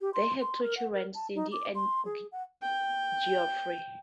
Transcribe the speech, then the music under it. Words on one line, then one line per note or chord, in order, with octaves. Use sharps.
They had two children, Cindie and Geoffrey.
G4
C6
C6
A#4
F#5
A#4
A5
D#4
D6
C6
G#4
F#5
G5